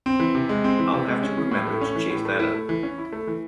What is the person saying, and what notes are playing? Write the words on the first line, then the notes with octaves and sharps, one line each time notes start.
I’ll have to remember to chase that up.
C4
E3
C3
G#3
C4
E3
C3
G#3
C#4
E3
A2
A3
C#4
E3
A2
A3
E4
A3
E3
C#4
E4
A3
E3